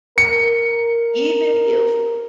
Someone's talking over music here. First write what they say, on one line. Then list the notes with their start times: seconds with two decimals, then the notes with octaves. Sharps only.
even if
0.18 A#4 C#7